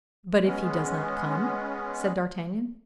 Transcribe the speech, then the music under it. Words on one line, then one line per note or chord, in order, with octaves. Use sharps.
"But if he does not come?" said d'Artagnan.
G#3 B3 C#4